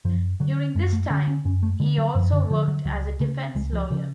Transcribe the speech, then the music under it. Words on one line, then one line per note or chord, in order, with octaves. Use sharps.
During this time, he also worked as a defence lawyer.
F#2 F3
D3 F#3
F#2 G#3
A3
D3 C#4
C#4
F#2 C#4
A3
D3 G#3
F#3
F#2 F3
D3
D3 F3
F#3
C#2 F#3
C#3 A3
C#2 G#3
F3
C#3 F3